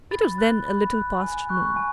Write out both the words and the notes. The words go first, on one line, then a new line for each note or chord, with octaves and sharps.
It was then a little past noon.
B5 A6
F#6
B5
F#6
G#5
C#6 F#6
G#5